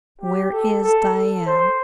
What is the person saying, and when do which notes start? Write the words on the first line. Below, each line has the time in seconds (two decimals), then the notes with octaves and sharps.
Where is Diane?...
0.21 G4
0.52 A4
0.84 A4
1.15 A4
1.46 C5